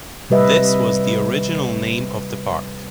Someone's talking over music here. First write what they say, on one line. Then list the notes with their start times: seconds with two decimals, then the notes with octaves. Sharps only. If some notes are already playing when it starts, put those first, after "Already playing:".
This was the original name of the park.
0.30 C3 G3 B4 D#5 E5